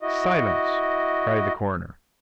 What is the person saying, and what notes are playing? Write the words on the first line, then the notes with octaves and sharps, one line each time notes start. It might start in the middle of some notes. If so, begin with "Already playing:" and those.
"Silence!" cried the coroner.
E4 F#4 D#5